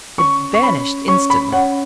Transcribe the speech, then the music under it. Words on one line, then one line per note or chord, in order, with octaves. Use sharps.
It vanished instantly.
C#4 C#6
C#6
C#4 B5
C#4 C#6
B5
C#4 F#5